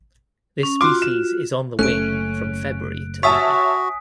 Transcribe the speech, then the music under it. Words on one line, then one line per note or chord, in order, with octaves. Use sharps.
This species is on the wing from February to May.
C#4
F4 F#4 C6 D6
E7
F#1 C#2 A3 C#4 F#6 D7
F#4 C#5 E5 G#5 A5 D#6 B6